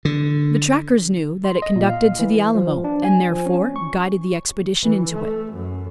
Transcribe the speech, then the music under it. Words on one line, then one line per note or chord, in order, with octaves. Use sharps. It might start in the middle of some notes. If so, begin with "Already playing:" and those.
The trackers knew that it conducted to the Alamo; and, therefore, guided the expedition into it.
D3
C6
D#5
A#2
F5
E3
F3
D4
G#5
F3
C#4
C#6
E3
A3
F#2